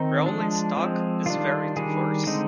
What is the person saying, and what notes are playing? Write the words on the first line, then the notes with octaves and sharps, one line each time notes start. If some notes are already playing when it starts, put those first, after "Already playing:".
Rolling stock is very diverse.
Already playing: D#3 C4 D#4
F3 G#3 D4
F3 G#3 C4
D#3 G3 D4 F4
D#3 G3 D4 G#4
D3 G#3 C4 D#4